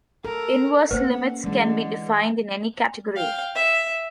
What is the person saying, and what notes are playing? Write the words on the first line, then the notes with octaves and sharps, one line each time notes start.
Inverse limits can be defined in any category.
A4 A#4
A#3 C#4 B4 C5 F#5
D3 E3 G#3
F5 G5
E5